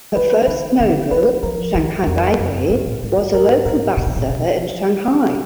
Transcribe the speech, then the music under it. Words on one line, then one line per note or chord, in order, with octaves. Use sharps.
Her first novel "Shanghai Baby", was a local bestseller in Shanghai.
D#3 B4
D#3 B4
D3
D#3 B4
F3 A#4
D#3
F#2
F2 A#4
F#2
G#2
A#2
G#2
F#2
G#2 A#4
A#2 A#4
A#2
B2
A#2
B2